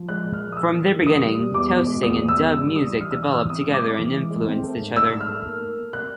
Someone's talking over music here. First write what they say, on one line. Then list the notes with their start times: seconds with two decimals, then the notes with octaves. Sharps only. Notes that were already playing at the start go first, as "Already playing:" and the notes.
From their beginning, toasting and dub music developed together and influenced each other.
Already playing: F3
0.08 G#3 F#6
0.24 A#2
0.33 F6
0.41 F3
0.52 D#6
0.57 A#3 E6
0.73 E3
0.90 A#3
1.06 G3 D#6
1.23 G3
1.38 G3
1.54 E2 D6
1.71 B2
1.87 G#3
2.03 E2 D#6
2.19 E2
2.28 E6
2.37 E2
2.52 G#2 E6
2.68 G3
2.76 D#6
2.85 G3
3.01 E3 F6
3.11 E6
3.17 G#2
3.23 D#6
3.32 E3 E6
3.49 C4 D#6
3.66 G#3
3.73 D6
3.82 C4
3.98 E3
4.14 G#3
4.31 G#3
4.47 C4
4.63 A3
4.79 G#2
4.95 A3 E6
5.12 G#2
5.21 F6
5.28 A3
5.45 A#3
5.60 A#3
5.77 A#3
5.93 C3 F#6